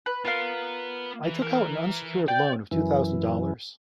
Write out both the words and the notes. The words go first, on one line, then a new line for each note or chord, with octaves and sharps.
I took out an unsecured loan of two thousand dollars.
B4
B3 F4 A#4 F5
E3
E3 A#4
D5 G5
F#2 E3